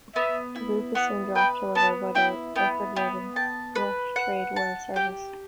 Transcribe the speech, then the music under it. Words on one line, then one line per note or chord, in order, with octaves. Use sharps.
The group was soon dropped, however, by their record label, Rough Trade World Service.
B3 E5
E4
B3 F#5
B4 G5
B3 A5
E4 G5
B3 G5
B3 G5
G5 A5
B4
F#5
A5
G4 G5